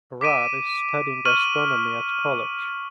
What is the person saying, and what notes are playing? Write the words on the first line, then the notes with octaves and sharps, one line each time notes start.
Rod is studying astronomy at college.
D6 B6 D7 D#7
C#6 F6 D#7 F#7